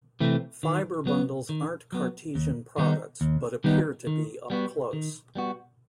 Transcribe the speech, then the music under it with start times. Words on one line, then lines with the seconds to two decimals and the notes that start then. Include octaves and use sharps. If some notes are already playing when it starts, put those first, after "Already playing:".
Fibre bundles aren't cartesian products, but appear to be up close.
0.20 C3 E3 A3 C4
0.63 D#3
1.06 F#3 B3
1.49 D#3
1.92 F#3 B3
2.35 D#2
2.78 D#3 G3 B3 D#4
3.21 D#2
3.64 D#3 G3 B3 D#4
4.07 D#3
4.50 G3 B3 F#4
4.93 D#3
5.35 G3 B3 F#4